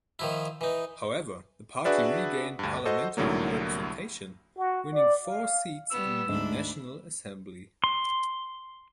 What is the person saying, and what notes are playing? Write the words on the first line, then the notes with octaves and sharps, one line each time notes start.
However, the party regained parliamentary representation, winning four seats in the National Assembly.
D#3 F3 E4
E3 D#4
D4 F#4 G#4 B4 D5 E5
D2 G2
F#4 A4 C5 D#5 F#5
C2 A2 D3 F#3 A#3
F#4
D5
F5
G3 B3 E6
D2 G#2 D4 B5
C6